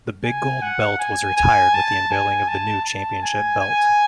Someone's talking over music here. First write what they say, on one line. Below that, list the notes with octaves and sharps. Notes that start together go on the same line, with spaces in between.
The Big Gold Belt was retired with the unveiling of the new championship belt.
G#5
F#5
G#5
G#5
A5
G#5
A5
A5
G#5
G#5